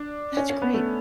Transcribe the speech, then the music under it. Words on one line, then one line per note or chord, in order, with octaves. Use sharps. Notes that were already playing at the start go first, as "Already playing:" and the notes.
That's great.
Already playing: D4
C#4
C#4
B3
A3